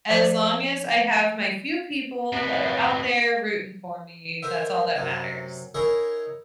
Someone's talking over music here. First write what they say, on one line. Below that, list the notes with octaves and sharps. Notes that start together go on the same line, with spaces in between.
as long as I have my few people that are out there rooting for me, that's all that matters.
F3 C5
C3 B3
A#4 C5 E5
F#2 C3
D#4 E4 G#4 A#4 C#5 D#5